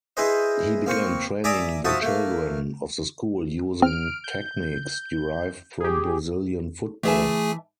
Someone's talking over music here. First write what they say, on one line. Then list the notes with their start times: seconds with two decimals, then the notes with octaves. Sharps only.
He began training the children of the school using techniques derived from Brazilian football.
0.17 E4 G#4 B4 C5 D#5
0.86 A#3 C4 C#6
1.44 D5 E5 G#5 A#5 D6 D#6
1.85 F3 F#4 E5 A5 D#6
2.02 A3 A#3
3.82 C4 F6 D7
4.24 G6
5.80 G4 G#4
7.03 E3 A3 G#4 E5 G#5 A5